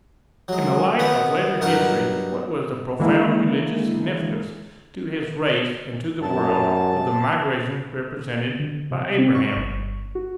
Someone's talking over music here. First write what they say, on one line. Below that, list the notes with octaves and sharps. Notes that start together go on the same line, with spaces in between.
In the light of later history what was the profound religious significance to his race and to the world, of the migration represented by Abraham?
F#3 G#3
D#3 B3 F#4
G2 F#3 D#4 A#4 F#5
D3 E3 G#3 A#3 E4
F#2 A5
D3
C3
C4
C#6
G1
F#4